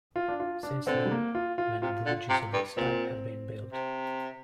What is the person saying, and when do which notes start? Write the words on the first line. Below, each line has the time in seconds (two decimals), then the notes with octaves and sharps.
Since then, many bridges of this type have been built.
0.16 F4
0.28 D4
0.40 F4
0.63 D4
0.87 D3 C4
1.05 G3
1.11 A#3
1.35 F4
1.58 F4
1.82 C3 F4
2.06 D3
2.29 C3
2.53 G2
2.77 A#2 C4
3.72 C3